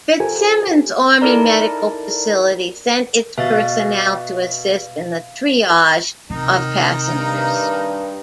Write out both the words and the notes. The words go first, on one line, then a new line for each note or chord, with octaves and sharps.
Fitzsimmons Army Medical Facility sent its personnel to assist in the triage of passengers.
F4 G4 A4 A#4 C5 G#5
D#4 E4 A4 A#4 D5 A#5
B2 E5 F5 A6
C3 D#3 D#4
G2